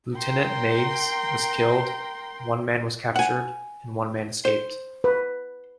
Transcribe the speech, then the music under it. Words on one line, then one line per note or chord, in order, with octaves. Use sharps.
Lieutenant Meigs was killed, one man was captured, and one man escaped.
A#4 G5 A#5 C6
F#5 G#5
C5
B4